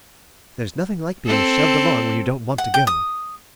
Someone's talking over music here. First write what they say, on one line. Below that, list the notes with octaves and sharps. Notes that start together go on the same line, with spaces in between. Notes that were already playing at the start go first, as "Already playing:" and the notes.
There's nothing like being shoved along when you don't want to go.
C4 A4
F#5
G5
D#6